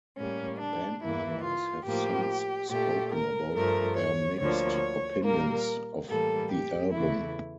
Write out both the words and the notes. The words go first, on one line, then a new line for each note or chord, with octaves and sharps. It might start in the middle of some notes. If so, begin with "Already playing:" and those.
Band members have since spoken about their mixed opinions of the album.
A2 G3 A#3 C#4
D4
G2 E3 A#3 E4
F4
A2 F3 A#3 G4
A#2 A3 G4
A#4
G2 F3 A3 A#4
C#5
D2 D3 F3 A#3 C#5
A#2 G3 A#3 A#4
A2 E3 G3 A#3 A4
G4
E2 C#3 E3 A3 E4